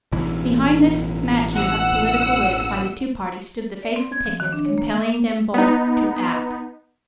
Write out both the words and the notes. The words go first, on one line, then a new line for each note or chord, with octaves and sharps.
Behind this matching of political wits by the two parties stood the faithful pickets compelling them both to act.
A1 B2 E3
F#5 E6
D5
C4
G#6
F3
D#3
D4
C#5
A#3
B3 D#4